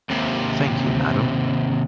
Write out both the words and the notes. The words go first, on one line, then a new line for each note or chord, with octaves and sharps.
Thank you, madam.
D#2 C3